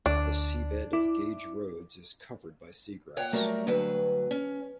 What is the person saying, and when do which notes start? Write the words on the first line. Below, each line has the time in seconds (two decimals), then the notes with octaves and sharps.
The seabed of Gage Roads is covered by seagrass.
0.06 D2 D4
0.93 E4 D6
3.17 A#2 C#5 F#5 G5
3.33 F#3 G3 A3 F#4 A#4 A#5
3.67 D2 G2 F#3 B4
4.31 C#4